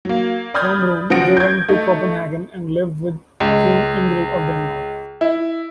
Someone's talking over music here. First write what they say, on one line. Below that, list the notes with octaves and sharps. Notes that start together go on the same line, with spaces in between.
From Rome they went to Copenhagen, and lived with Queen Ingrid of Denmark.
F#3 A#3
D5 B5 D#6 F6 G6 G#6
C#3 F3 F#3 F#5 A#6 D7
G6 G#6
A3 D#4
C#2
E4